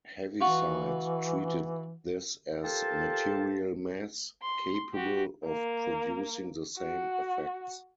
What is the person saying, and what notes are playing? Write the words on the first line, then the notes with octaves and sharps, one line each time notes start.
Heaviside treated this as material mass, capable of producing the same effects.
E3 F4 F#4
F4 G4 A4 A#4 C5 A5
C6
F#4 G4
A#3
F#4